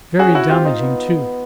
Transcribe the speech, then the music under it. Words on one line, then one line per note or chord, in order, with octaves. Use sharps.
Very damaging, too!
C#4 F#4 G#4
E4 F#4
C4 F4 G4
D#4 F4
B3